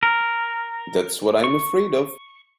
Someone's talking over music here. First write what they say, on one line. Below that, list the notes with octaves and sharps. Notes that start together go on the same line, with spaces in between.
That's what I'm afraid of.
A#4
C#6